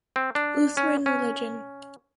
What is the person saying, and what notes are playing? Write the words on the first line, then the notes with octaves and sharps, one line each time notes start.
Lutheran religion.
C4
D4
C#4
C#4